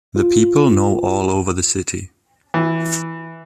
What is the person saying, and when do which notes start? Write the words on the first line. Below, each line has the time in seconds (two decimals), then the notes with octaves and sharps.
The people know all over the city.
0.16 F4
2.54 E3